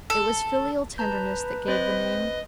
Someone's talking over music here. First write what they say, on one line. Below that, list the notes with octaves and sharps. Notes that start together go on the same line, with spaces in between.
It was filial tenderness that gave the name.
A4
B4 A5 A#5 G6
C4 C5 D#5